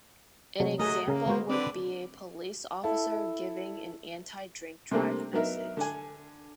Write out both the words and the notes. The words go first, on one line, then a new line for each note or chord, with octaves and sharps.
An example would be a police officer giving an anti-drink drive message.
C3 F#3 A3
F#3 A3 G#4 A#4 D#5
C#3 A#3 A#4 F5
G#3 B3 F#4 C5
D3 C4 B4 D5
E4 A4
C3 G3 A3 A#3 C4 D4
F#3 B3 D#4 A#4 E5
D3 D4 G#5